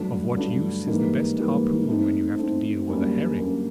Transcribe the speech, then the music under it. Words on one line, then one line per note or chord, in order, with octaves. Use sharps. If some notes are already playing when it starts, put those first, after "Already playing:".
Of what use is the best harpoon when you have to deal with a herring?
Already playing: G2 D3 F#3 A3 D4
G2 D3 F#3 A3 D4
G#2 E3 G3 A#3
G#2 E3 G3 A#3
A3 C4 D#4
A3 C4 D#4
F#2 D3 G3 A#3 D4
F#2 D3 G3 A#3 D4